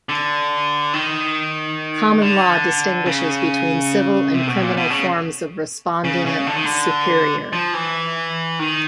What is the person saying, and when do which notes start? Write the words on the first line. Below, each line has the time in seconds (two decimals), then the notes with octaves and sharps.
Common law distinguishes between civil and criminal forms of respondeat superior.
0.09 D3
0.94 D#3
2.21 D3
3.06 C#3
4.34 C3
4.48 B2
4.62 A#2
4.77 B2
4.90 C#3
6.04 C#3
6.26 C#3
6.47 D3
6.56 D#3
6.65 D3
7.53 F3
7.74 E3
8.59 D#3